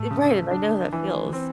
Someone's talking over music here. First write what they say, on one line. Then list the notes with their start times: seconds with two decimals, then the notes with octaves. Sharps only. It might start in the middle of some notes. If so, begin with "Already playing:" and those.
Eh, right and I know how that feels.
Already playing: A2 A3
0.11 C#3
0.51 D4
0.92 E3
1.33 C4